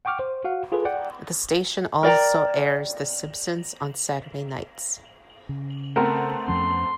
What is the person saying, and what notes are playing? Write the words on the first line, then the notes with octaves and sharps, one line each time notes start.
The station also airs "The Simpsons" on Saturday nights.
F#5 G5 C#6 D6 F6
C5
F#4 F5 F#5
F4 G#4 A4 B4
D5 F#5 G5
A#4 D5 G5 A#5
C#3
A3 B3 C4 A#4
F2 F3 C#4 C6